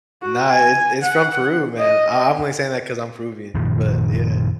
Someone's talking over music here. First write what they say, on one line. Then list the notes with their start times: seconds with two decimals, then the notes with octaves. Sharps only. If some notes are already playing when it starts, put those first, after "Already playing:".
No, it's it's from Peru, man. I I'm only saying that 'cause I'm Peruvian, but yeah.
0.22 F#4
0.51 G#5
1.03 F#5
1.80 D#5
3.55 F#2 A#2 D#3 F3